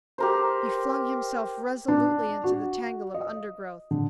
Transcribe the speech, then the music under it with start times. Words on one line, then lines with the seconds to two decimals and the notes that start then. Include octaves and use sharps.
He flung himself resolutely into the tangle of undergrowth.
0.18 G4 A#4 C5
1.88 D4
2.44 F#4
3.14 D#5
3.91 D3